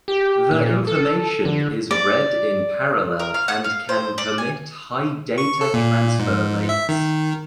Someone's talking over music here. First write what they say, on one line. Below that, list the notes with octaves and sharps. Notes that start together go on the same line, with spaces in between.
The information is read in parallel and can permit high data transfer rates.
G4
A#2
A4
D3
D5
A#4
F5
F#5
F5
C5
D5
G#5
C#6
A4
A#2
G#2
E5
D#3